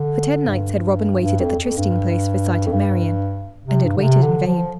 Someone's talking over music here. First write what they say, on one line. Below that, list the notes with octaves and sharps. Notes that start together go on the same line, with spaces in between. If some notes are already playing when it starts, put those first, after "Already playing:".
For ten nights had Robin waited at the trysting place for sight of Marian; and had waited in vain.
Already playing: D3
G2
G2
F2
F2
G2
F2
G2
C3
G2
D3
C3
D3
F3